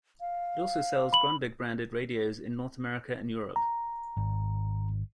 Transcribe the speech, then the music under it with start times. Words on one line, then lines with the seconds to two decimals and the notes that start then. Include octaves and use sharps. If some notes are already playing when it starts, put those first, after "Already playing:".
It also sells Grundig-branded radios in North America and Europe.
0.21 F5
1.13 B5 F#7
3.56 A#5
4.17 G#1